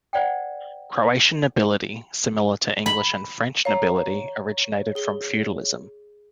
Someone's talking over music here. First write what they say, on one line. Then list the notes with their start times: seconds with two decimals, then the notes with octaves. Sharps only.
Croatian nobility, similar to English and French nobility, originated from feudalism.
0.13 C5 D5 F#5 G5
2.86 B5
3.65 C#5 F5 A#5
4.95 G#4 G7